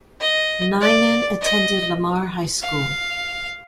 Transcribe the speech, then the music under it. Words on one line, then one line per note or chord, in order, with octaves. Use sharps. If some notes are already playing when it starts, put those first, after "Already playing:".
Niemann attended Lamar High School.
D#5
D5
D#5
F5